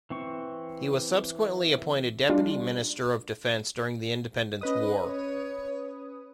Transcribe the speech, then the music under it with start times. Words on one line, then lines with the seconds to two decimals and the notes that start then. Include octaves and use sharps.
He was subsequently appointed Deputy Minister of Defense during the Independence War.
0.10 E3 C4 C#6
2.29 G3 D4 F4
4.61 C#4 B4 D#5 D#6
5.05 C#5